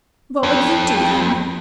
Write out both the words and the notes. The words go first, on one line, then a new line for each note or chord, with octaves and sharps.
"What would you do then?"
F2